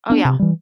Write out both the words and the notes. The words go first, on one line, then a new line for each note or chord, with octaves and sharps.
Oh yeah,
B3 D4
C3
E3 G3